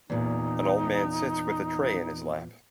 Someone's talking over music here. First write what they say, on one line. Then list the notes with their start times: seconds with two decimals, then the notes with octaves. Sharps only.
An old man sits with a tray in his lap.
0.10 E2 A#2 D#4